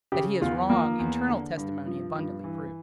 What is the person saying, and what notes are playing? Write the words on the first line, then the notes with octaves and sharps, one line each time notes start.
That he is wrong internal testimony abundantly proves.
C#3 G4
E2 F4
F3 A#3
E2
D3
G2
F3
G2
E3